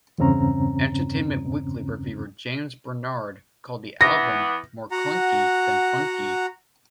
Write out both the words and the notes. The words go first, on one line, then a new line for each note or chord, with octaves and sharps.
"Entertainment Weekly" reviewer James Bernard called the album "more clunky than funky".
E2 G2 C#3 C4 C#4 A#5
E3 B3 A#6
F#4 F#5 A#5